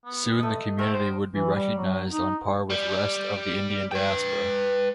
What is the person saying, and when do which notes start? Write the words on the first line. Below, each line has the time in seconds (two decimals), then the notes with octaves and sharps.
Soon the community would be recognized on par with rest of the Indian diaspora.
0.05 B3
0.39 A3 D#5
0.78 A3 A#4 C5 G5
0.93 C5 F#5
1.33 E3
1.55 G3
1.78 F#3
2.09 D#4
2.70 G3
3.91 B4 G5